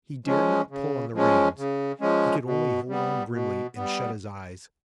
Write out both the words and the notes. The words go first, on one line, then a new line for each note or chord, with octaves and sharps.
He dared not pull on the reins; he could only hold on grimly and shut his eyes.
F3 G#3 C#4
C#3
F3 G#3 C#4
C#3
F3 G#3 C#4
B2
G3 B3
B2
G3 B3